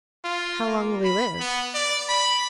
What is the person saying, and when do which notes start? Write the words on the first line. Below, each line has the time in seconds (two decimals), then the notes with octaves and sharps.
"How long will he live?"
0.24 F4
0.67 A#3
1.05 B5
1.40 B3
1.75 D5
2.09 B5